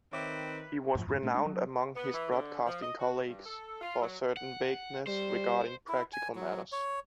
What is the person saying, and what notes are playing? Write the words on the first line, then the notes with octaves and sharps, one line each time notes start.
He was renowned among his broadcasting colleagues for a certain vagueness regarding practical matters.
D#3 C4 B4 C#5 E5 D6
F#2 A2 F3
F2 G#2 B2 D3
A#2 A3 A#3 C#4
G#3 D4
F#3
B3
E3
D3
F3
D#5
F#4
G2
A4
F4
F#3
F#5
G3 C5
E4
G#5
F#3
C#5